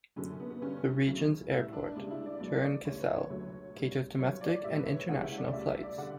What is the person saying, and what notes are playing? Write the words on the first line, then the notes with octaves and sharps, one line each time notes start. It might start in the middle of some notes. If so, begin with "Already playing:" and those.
The region's airport, Turin-Caselle, caters domestic and international flights.
F#2 D3 F#3 C#4
B3
B3
G2 D3 G3 C#4
C#4
D2 C#3 F#3
A2 G3 E4
D4
C#2 C#3 G3 D4
E4
D5
C#2 B2 F#3 D5
D5
D2 C#3 E3 G3 C#5
B4
C#5
D2 D3 F#3 C#5
A2 G3
G2 F#3 C#5
D5
A2 G3 E5
B4
C#5
C#2 C#3 E3 G3 F#5
E5
D5
D2 C#3 G3 E5
E5
D5
D3 G3 F#5